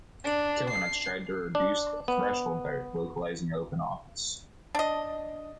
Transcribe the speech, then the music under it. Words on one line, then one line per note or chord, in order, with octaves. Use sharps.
Kilinux tried to reduce the threshold by localizing Open Office.
D4
C7
D4
B3
D4 D#5